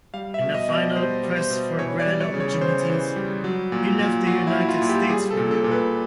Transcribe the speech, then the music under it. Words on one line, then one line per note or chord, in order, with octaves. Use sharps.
In a final quest for grand opportunities, he left the United States for Europe.
G3 F5
E5
B2
D#5
B2
D5
G3 C5
G3
C5
B2
E3 C#5
D5
G3
C#5
C#3
C#5
C#3 C5
E3
G3
F#3
A#2
A#2
F#3 F#4
E4
F#3
F4
A#2
G4
G3 G#4
A4
A#2
A4
A#2
B4